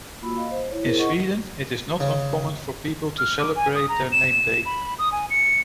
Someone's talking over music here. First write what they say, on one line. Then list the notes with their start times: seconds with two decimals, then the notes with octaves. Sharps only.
In Sweden, it is not uncommon for people to celebrate their name day.
0.22 A#3 F4 F#4 B5 E6
0.37 D#5 F5
0.51 C5
0.69 E4 C#5
0.83 E4 G#4 A#4 C5
0.98 D#5 F#5 C#6
2.00 C#3
3.19 F6
3.39 D6
3.56 G#5
3.75 D#6
3.89 A#5
4.12 E7
4.65 B5
4.99 D#6
5.12 G#5
5.30 C#7